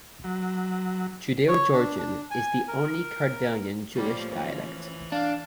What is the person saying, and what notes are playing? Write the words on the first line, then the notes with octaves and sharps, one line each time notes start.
Judaeo-Georgian is the only Kartvelian Jewish dialect.
F#3
C#5
D4
D4
G#5
A#4
A2 F3 G3 A#3 C#4
E3
D4 F5